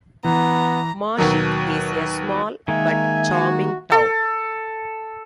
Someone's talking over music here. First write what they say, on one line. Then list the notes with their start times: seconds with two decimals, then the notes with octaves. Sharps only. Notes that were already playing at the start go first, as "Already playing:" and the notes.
Mashike is a small but charming town.
0.24 E3 B3 A#5
1.17 D#2 B2 F#3 A#3
2.68 D#3 G#3 A#3 E5 G#5
3.31 F#4
3.92 A4